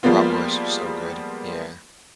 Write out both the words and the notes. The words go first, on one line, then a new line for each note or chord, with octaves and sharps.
Bratwursts are so good, yeah.
F3 G3 G#3 A#3 B3 F4